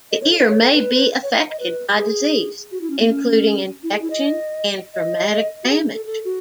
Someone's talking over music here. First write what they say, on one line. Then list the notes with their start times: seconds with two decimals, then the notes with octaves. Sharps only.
The ear may be affected by disease, including infection and traumatic damage.
0.11 D#5
0.21 C#5
0.30 A4
0.39 B4
0.49 C#5
0.61 A4
0.74 B4
1.23 C#5
1.32 D#5
1.50 D#5
1.60 B4
1.97 G#4
2.72 F#4
2.81 E4
2.90 C#4
2.99 B3
3.09 C#4
3.83 E4
3.92 G#4
4.02 E4
4.10 D#5
4.94 D#5
5.63 F#4
5.69 G#4
5.93 A4
6.06 A4
6.25 F#4